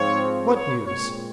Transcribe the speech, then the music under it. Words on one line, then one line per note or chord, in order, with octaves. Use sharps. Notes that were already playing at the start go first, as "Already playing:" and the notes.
"What news?"
Already playing: G#2 F3 C4 C#5
C#5
A#2 G#3 C4 C#5